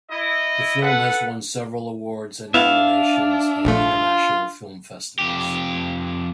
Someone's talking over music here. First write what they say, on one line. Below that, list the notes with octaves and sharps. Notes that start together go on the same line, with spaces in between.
The film has won several awards and nominations in International film festivals.
E4 D#5
A4 B4 F#5
B3 D4 E4 E5 F5
A#1 A3 F4
F2 G4